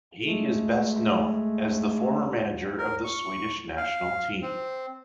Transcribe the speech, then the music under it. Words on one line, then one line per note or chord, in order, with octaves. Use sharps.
He is best known as the former manager of the Swedish national team.
G#3 A3
A#4
C#6
F5
C4